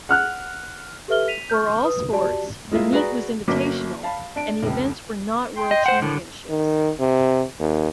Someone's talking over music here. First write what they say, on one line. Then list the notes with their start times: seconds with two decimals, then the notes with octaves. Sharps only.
For all sports, the meet was invitational and the events were not world championships.
0.09 F#5 F6 F#6
1.08 G4 A4 B4 E5 F6 G7
1.28 B6 D#7 F7
1.50 C#6 F6 G6
1.84 B4 D#6
2.12 F#4 G4 D5 A5
2.72 G#3 A#3 E4 F4 E5
2.93 F#4 G#4 B4 D5 A#5
3.48 G1 F#3 A#3 C#4 D6 B6
4.03 F5 A5 B5
4.36 D4 A5 D7
4.63 F1 C#2
5.57 G5 C6
5.71 D#5
5.86 C5 F#5
6.02 A2 D3 D#3 F3
6.49 D#3
7.00 C3
7.60 D#2